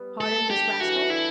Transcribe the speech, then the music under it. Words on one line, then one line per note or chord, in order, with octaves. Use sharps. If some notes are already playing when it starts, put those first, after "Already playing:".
"Pardon this rascal?"
Already playing: G3 B3
A4
D3 G4
E3 F#4
D3 E4